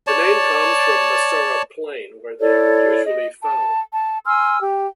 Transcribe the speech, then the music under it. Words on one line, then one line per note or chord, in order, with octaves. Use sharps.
The name comes from the Messara Plain where they are usually found.
C#5 D5 A5
E4 A4 C#5 D5
D#5
A5
A5
G#5 C6 E6 F6
G4 G5